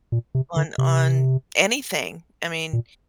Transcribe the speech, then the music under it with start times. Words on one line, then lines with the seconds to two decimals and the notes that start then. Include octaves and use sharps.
on on anything, I mean,
0.12 A#2
0.35 C3
0.56 D3
0.78 C3
2.73 A#2